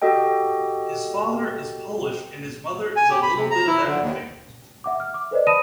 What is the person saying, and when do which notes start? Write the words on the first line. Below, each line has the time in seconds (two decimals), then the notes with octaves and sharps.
His father is Polish, and his mother is "a little bit of everything".
0.02 F#4 G4 A4 D#5 G5
2.96 G#5
3.11 G4
3.22 B5
3.35 C3
3.51 A#5
3.67 E4
3.86 D3
4.02 D#2
4.84 E5 F#5 D6
5.00 F6
5.14 D6
5.31 A4 B4 C5 D5 D#5
5.47 A5 B5 D#6 A#6 D#7 E7